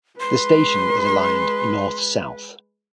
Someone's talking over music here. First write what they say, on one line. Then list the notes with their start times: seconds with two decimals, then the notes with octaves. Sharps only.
The station is aligned north-south.
0.20 G#3 B4 C6